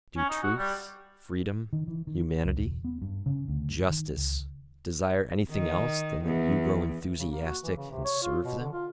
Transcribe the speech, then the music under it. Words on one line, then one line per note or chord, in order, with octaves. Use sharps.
Do truth, freedom, humanity, justice, desire anything else than that you grow enthusiastic and serve them?
C#4
D#4
F#4
G3
D#3
E3
D#3
C#2
E1
B3
G2
C#3
D2
G2
D#3
C#2
D#3
E2
C#3
A#3
F#4
E3
C#3
C3
C#5
F4
B2
D3
F4